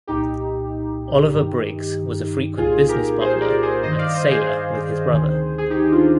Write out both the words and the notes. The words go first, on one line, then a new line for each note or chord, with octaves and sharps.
Oliver Briggs was a frequent business partner and sailor with his brother.
C2 A#2 D#4 G4
G2 D#3
C2 A#2 F4 G#4
G4 A#4
G#4 C5
A#4 D5
G#4 C5
G2 D#3 C5 D#5
D5 F5
C5 D#5
G#4 C5
D2 C3 D#3
G#4
D#4 G4
D4 F4